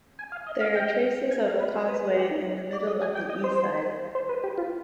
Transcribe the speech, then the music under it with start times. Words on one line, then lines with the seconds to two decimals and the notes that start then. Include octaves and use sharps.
There are traces of a causeway in the middle of the E side.
0.19 G#5
0.32 F5
0.46 D#5
0.61 F5
0.75 G5
1.31 G#5
1.46 F5
1.60 B4
1.74 G#4
1.88 B4
2.16 G4
2.31 D#4
2.73 D5
2.87 D#5
3.01 G#5
3.15 G5
3.30 D#5
3.44 C5
4.15 C5
4.29 B4
4.44 G4
4.58 F4